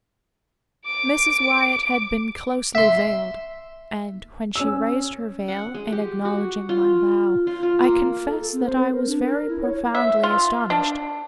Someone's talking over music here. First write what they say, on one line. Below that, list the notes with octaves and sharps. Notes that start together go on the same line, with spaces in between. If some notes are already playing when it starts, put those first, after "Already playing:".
Mrs. Wyatt had been closely veiled; and when she raised her veil, in acknowledging my bow, I confess that I was very profoundly astonished.
D6 D7
E5 C6
C#4 E6
F#5
G#3
G4
F#4
F4
F4
F4
A#3
A4
A4
C4
C5
C4
A#4
D4
A#4
E4
C#5
E5
F4
D4